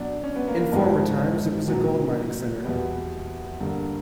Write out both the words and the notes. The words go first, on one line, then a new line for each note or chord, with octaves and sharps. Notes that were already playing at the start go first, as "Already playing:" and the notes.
In former times it was a gold mining centre.
Already playing: B2 F#3 D4
C#4
B3
A#3
A#3
G#2 F3 G#3 B3
A#2 F#3
E2 B2 G3 B3
G2 D3 G3 A#3